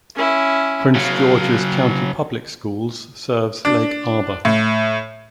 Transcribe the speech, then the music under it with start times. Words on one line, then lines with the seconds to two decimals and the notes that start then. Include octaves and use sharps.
Prince George's County Public Schools serves Lake Arbor.
0.16 C#4 E4
0.96 C#3 F#3 F5
3.65 D4
4.45 A2